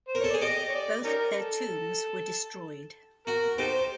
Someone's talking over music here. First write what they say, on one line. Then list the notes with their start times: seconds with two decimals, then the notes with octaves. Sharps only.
Both their tombs were destroyed.
0.08 C5
0.15 A#4
0.21 A4 C#5
0.30 G#4 D5
0.41 G4 D#5
0.69 C#5
0.74 D5
1.05 C#4 D#4 A#4
1.37 A4
3.27 F#4 A#4
3.58 D#4 G4 A4 C5